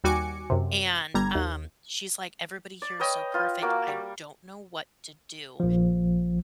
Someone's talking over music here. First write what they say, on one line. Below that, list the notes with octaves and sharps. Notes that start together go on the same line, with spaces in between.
And, um, she's like, "Everybody here is so perfect. I don't know what to do."
D#2 G3 F#4 G#5 D6 C#7
F#2 C3
G1 G3 A#5 G#6
D#2
D5
B4 C#5 D#5 G5
F4 B4
A#3 F#4 D6
G3
A#1 F3